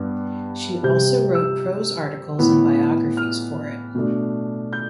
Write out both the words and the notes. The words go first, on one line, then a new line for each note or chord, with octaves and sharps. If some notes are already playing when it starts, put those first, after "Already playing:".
She also wrote prose articles and biographies for it.
Already playing: G2 B3 D4
C3 G3 C4 G6
E6
A2 E3 B3
F6
B2 A3 D4
G6